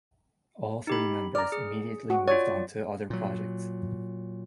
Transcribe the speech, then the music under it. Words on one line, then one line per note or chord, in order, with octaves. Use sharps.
All three members immediately moved on to other projects.
D#4 G4 B5
D5 A#5 F6
G#4
F#4
F4 C#5 D5
A#2 F#3